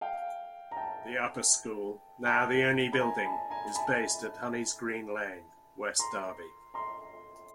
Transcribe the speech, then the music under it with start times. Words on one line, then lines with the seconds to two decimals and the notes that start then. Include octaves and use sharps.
The upper school, now the only building, is based at "Honeysgreen Lane", West Derby.
0.01 F5 G5
0.71 A#5
0.77 G5 A5
2.26 G5 A5
2.92 B5
3.01 G#5 A#5
3.25 A5 B5
3.50 G#5 A#5
3.75 A5 B5
5.99 A#5 C6
6.74 A#5 C6